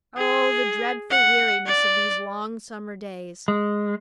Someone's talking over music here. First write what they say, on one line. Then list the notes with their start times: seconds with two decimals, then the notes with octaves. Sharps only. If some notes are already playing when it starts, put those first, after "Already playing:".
Oh, the dreadful weariness of these long summer days!
0.17 G#4
1.10 F#5
1.66 D5
3.48 G#3